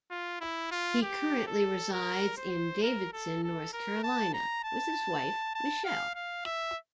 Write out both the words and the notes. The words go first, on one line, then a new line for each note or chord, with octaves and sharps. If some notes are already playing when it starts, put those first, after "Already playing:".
He currently resides in Davidson, North Carolina with his wife Michelle.
F4
E4
F4
G4
A4
A#4
C5
A#4
A4
A4
A#4
A5
A#5
A5
A5
F5
F5
E5